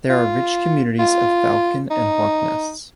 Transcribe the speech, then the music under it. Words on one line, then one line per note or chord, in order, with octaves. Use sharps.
There are rich communities of falcon and hawk nests.
F4
F4
D#4